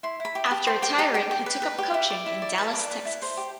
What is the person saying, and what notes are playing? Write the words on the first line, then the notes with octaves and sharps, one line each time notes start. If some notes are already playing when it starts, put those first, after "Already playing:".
After retiring, he took up coaching in Dallas, Texas.
E4 C6
E4 B5
G4
A5
G4
C5 G5
G4 G5
G4 A5
G4 G5
G4
B4
B4
G4
E4
D5
E4
D5
B4 A5
D5
B4
E4
C5
G4